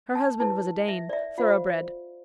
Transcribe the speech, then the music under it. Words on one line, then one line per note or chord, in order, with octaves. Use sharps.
Her husband was a Dane, thoroughbred.
A5
E4 B4 A5
E5
D5
E5
F4 C5 F5